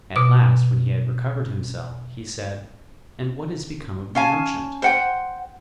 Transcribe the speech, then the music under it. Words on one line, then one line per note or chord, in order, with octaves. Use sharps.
At last, when he had recovered himself, he said, "And what is become of the merchant?"
B2 D6
C#4 F5 G#5 A5
C5 F#5 G5